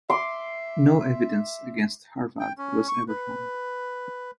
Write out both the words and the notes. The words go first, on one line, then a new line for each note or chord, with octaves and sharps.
No evidence against Arvad was ever found.
E5 C6 D6
G5
C#4
C#6
B4